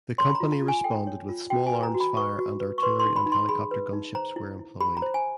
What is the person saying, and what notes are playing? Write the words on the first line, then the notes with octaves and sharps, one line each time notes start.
The company responded with small arms fire and artillery and helicopter gunships were employed.
C#5 C6
B5
A#5
F4
A5
F4
G#5
A4 G5
C#5
F4
F#4 G5
G#5
B4
A#5
F#4
B5
B4 C#6
F#4
B4
C#6
B4 C6
C6
D#4
B5
D#4
C6
G#4 B5
B4
D#4
C5 A#5
E4
E4
G4 B5
A#5
C5
G#5